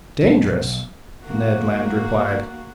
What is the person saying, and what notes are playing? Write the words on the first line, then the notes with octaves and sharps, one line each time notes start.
"Dangerous?" Ned Land replied.
B1
A#3 F#4